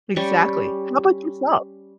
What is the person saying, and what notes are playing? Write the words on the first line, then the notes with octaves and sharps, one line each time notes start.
Exactly. How about yourself?
G3 C#4 G4 C#6